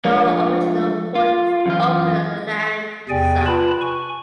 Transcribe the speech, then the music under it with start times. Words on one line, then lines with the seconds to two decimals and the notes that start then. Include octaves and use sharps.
The original fort was open on the land side.
0.05 F3 G#3 A3 D4 F4 C#5
1.15 F4
1.66 F#2 E3 F4
3.09 E2 C3 G#4 D5 G5 G#5
3.46 F4 B4 A5 B5
3.81 G#5 C#6